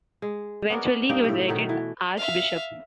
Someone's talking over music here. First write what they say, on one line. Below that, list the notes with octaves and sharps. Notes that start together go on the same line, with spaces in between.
Eventually he was elected archbishop.
G#3
B3 C#4 D4 A#4
G2 A#3 D#4 G5
A2 C3
B2 D#3 F#3 A3
E3
E5 F5